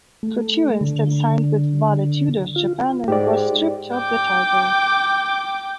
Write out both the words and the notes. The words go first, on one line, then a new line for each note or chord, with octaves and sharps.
Couture instead signed with Vale Tudo Japan, and was stripped of the title.
A3
D3
F4
G#2 G4 D5
G5 D6